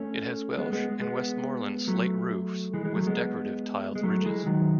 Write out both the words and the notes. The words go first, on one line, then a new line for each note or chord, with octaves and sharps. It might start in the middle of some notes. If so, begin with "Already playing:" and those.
It has Welsh and Westmorland slate roofs with decorative tiled ridges.
Already playing: A3 C#4
G#3 B3
G#3 B3
G#3 B3
F#3 A3
E3 G#3
E3 G#3
F#3 A3
G#3 B3
G#3
F#3 A3
E3 G#3
D#3 F#3